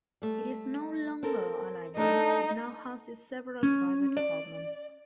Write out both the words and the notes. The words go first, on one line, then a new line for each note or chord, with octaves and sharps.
It is no longer a library, it now houses several private apartments.
G3 A3
C4 A4 A#4
A3 D4 D#4 A4
C#4
D5